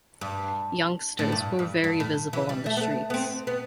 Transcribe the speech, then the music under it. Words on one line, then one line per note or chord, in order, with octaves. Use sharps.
Youngsters were very visible on the streets.
G2
A2
G2
G2
G2
A2
E3
G3
A3
B3
A3
B3
C4
B3